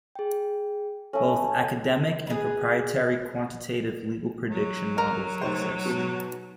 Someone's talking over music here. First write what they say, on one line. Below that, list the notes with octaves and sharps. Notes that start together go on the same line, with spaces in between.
Both academic and proprietary quantitative legal prediction models exist.
G#4 G5
A3 C#4 A4
G#4 B4
F#3
A#4
F1 D#4 C5
G#2 B2